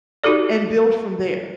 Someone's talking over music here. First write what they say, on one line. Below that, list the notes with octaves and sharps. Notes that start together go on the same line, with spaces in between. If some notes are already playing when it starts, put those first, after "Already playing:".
And build from there,
D#4 F#4 G4 A4 D5